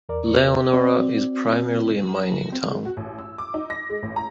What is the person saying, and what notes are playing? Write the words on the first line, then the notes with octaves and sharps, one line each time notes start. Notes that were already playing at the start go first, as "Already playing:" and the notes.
Leonora is primarily a mining town.
E2 A#4 D5
C4 F#4 D5
C4
G#3
F#4
A1
E6
D6
D#4
A#6
G#3
A1
A#5